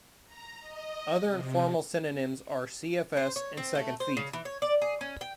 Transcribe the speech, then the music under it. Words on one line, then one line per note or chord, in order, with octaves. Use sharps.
Other informal synonyms are "cfs" and "second-feet".
A#5
D#5
C3
C5
C#5
C4
A3
C5
C#3
E3
C#5
D5
G#4
C#4
G5